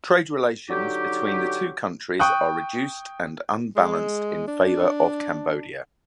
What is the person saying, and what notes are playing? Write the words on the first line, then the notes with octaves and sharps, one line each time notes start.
Trade relations between the two countries are reduced and unbalanced in favor of Cambodia.
D3 F#3 D#4 G4
G5 C#6 D#6 F#6
G#3
D4